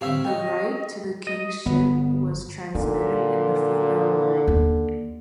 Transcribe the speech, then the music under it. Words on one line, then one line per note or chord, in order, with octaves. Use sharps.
The right to the kingship was transmitted in the female line.
A2 D3 G3 C4 C#4 E5 F5 E6
C#4 D#5 G5
D#5
G1 B3
A#2 D3 D#4
D#2